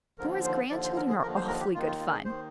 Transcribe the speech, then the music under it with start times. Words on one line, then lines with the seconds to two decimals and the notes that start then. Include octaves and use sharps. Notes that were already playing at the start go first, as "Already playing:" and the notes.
Nora's grandchildren are awfully good fun.
0.19 D#2 D3 F3 A#4
0.44 C5
0.70 D#2 D3 F3 D5
0.84 C5
0.96 A#4
1.10 G#4
1.22 D#2 D3 F3 A#4
1.36 C5
1.47 A#4
1.61 G4
1.74 D#2 F4
1.78 D#3
1.87 F4
2.00 F4
2.12 G#4
2.25 D#2 D#3 C5